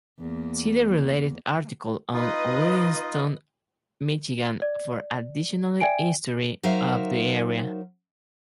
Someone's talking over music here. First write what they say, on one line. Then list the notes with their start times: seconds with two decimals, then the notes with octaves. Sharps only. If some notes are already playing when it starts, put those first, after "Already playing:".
See the related article on Williamston, Michigan for additional history of the area.
0.20 E2 A#3
2.14 D#4 F4 B4 D#5
4.62 D5
5.80 D5 E5 G5 G#5 D7
6.63 F#3 D#4 A#4 C5 E5 F5